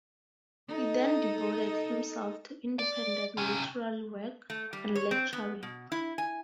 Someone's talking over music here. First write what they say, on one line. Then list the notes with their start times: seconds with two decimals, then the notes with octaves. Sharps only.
He then devoted himself to independent literary work and lecturing.
0.68 D#4 A4 D#5
2.79 D5
3.38 C3 C#4
4.50 A3
4.73 G3
4.95 C#5
5.11 C4
5.33 B3
5.63 B2
5.92 E4
6.18 G#5